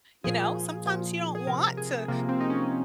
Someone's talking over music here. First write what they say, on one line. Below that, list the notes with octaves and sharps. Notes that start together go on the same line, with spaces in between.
you know, sometimes you don't want to
A#2 F3 G#4
A#2 F3
G#4
C3 F3 A#4
G#4
C3 F3 A#3
C4
D#4
C#4